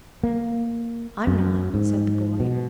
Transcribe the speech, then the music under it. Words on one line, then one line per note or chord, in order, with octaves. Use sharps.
"I'm not," said the boy.
A#3
F#2
G#2
B2